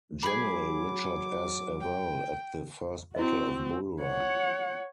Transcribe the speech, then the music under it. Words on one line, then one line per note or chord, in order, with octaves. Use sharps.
General Richard S. Ewell at the First Battle of Bull Run.
F#3 G#4 B5 D6
G5
C4 E4 F#4 D#5
C#5 F#5